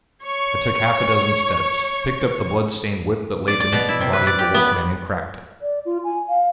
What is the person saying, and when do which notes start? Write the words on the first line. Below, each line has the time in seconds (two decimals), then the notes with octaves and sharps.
I took half-a-dozen steps, picked up the blood-stained whip that lay beneath the body of the Wolf-man, and cracked it.
0.24 C#5 C#6
3.48 D5
3.60 D5
3.73 B2
3.89 E4
4.00 C3
4.13 B4
4.27 D5
4.39 G4
4.54 B3
5.62 D5
5.85 F4
6.04 G#5
6.28 F5